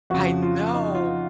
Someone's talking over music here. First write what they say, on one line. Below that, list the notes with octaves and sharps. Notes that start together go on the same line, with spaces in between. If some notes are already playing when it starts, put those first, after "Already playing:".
I know.
F2 C#3 F#4
F4
D#4
F4